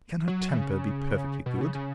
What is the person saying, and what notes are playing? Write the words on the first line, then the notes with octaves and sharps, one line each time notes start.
Can her temper be perfectly good?
F#3
E3
C#3
B2
C#3
C#3